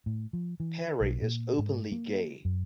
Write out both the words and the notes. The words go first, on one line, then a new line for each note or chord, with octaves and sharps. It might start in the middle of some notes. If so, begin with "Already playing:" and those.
Perry is openly gay.
A2
F3
E3
B1
A#2
G#2
A#3
F#2